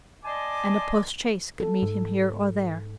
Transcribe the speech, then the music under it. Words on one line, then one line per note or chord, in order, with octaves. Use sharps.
And a postchaise could meet him here or there.
D5 D#5 G#5 A5 C6 D6
A4
G#2